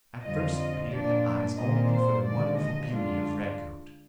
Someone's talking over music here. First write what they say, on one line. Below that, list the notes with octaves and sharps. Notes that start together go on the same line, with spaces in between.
At first Peter had eyes only for the wonderful beauty of Redcoat.
F2 D3 G3 C4 F4 D#5
D#5
A#2 F3 A#3 D4 D5
A#2 G3 C4 D#5
C5
D#2 D3 F3 G#3 D5
D#5
D3 G#3 D4 F4